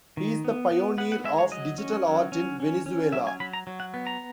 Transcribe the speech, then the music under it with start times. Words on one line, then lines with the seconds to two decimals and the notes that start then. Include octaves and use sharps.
He is the pioneer of digital art in Venezuela.
0.17 D#3
0.45 B3
0.71 B3
0.98 B3 F#5
1.12 F#5
1.24 G#3 E5
1.38 C#5
1.52 F#3 D#5
1.78 C#4
2.06 F#3
2.32 C#4
2.60 C#4
2.86 C#4
3.13 F#3 E5
3.27 G#5
3.40 F#3 B5
3.53 A#5
3.67 F#3
3.80 F#5
3.94 B3
4.07 A#5